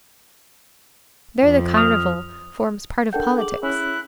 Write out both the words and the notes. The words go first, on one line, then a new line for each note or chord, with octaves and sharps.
There the Carnival forms part of politics.
F2
D#6 F6 F7
D4 A4 A#4 F#5 G5 G6
G#4 D6 F#7
C#4 E4 F#6